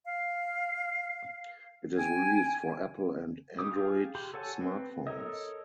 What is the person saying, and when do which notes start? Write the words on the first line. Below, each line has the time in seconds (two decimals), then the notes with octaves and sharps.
It is released for Apple and Android smartphones.
0.04 F5
1.98 G5 G#5 G#6
3.59 G3 G#3 G4 D6 D#6
3.71 F4 G4 G#4
4.15 G4 C6
4.34 A4 C#5 F#5 G#5 A5
4.61 C4 B4
5.07 A4 A#4 C#5 D#5